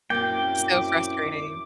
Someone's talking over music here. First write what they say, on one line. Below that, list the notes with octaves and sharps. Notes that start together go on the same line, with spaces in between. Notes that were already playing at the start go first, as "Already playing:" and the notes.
So frustrating.
F#2 A#2 A#3 C4 E4 G5 D6